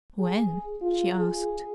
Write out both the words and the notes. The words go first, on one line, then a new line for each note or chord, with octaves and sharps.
"When?" she asked.
G#4
F4
G#4